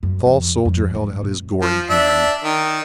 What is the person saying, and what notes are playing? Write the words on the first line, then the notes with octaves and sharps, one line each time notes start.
The tall soldier held out his gory hand.
F#2
F2
F2
G#2
A#2
F3
D4 E5
D#3